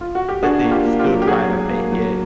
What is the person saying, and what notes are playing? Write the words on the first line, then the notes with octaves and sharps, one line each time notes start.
that they still try to make it,
F4
F#4
G4
D4 F#4 G#4
A#3 F#4
F4 G4
A#3
F4 G4
F#3
G4
F#3 F#4 G#4
F#3
A#3
F#3